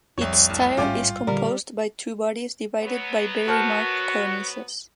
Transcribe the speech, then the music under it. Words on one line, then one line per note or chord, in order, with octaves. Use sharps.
Its style is composed by two bodies divided by very marked cornices.
F1 C2 F2 F3 C#5
A2 A3
A1 G#2 G3 A3 C#4 F4 G5 D6
A#2 D3 G3 A#4
F#3 B3
F#4 A#4 C5 A5